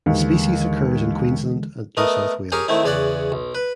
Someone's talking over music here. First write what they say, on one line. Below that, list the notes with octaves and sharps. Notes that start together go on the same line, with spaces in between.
The species occurs in Queensland and New South Wales.
D#2 D3 E3 G#3
A3 B3 A#4 D#5
G4 G#4 A#4 C#5 G#5
D#3 A3 C4 E4
E2 C#3 C#5 D5 F#5
B1
B4